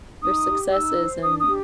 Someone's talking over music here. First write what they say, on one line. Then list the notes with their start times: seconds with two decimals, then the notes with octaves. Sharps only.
their successes, and
0.22 D#4 D#6
0.47 G4
0.72 D#4 E6
0.98 C5
1.23 D4 D#6
1.39 D#6
1.48 G4